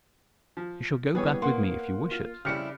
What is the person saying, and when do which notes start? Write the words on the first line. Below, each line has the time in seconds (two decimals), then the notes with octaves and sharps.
"You shall go back with me if you wish it."
0.57 F3
1.15 E3 G3 B3 G#4 C#5
1.42 A#3 F#5 C6
2.11 F4
2.45 F2 C#3 G3 E4 G4 F6 C#7